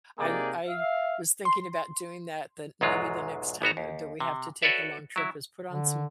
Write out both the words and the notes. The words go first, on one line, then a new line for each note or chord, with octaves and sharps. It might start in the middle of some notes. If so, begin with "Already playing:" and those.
I I was thinking about doing that, then maybe the next time, uh, that we have to take a long trip is put on some
C3 A#3 D#4 G#4 D5
E5 F5
C6
B1 E2 G#2 F#3 G#3 F4
G#1 B3 F#4 A#5
D#2
C3
F#4 A4 B4 C#5 D5 E5
F#3 E4
D3